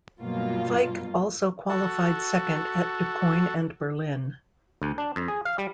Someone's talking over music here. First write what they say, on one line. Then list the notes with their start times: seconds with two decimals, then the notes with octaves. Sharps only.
Fike also qualified second at DuQuoin and Berlin.
0.21 G2 B2 F#3 A#3 F4
1.70 F#4 A4
4.82 D2
4.98 D4
5.16 F2
5.28 G#4
5.45 F5
5.58 G3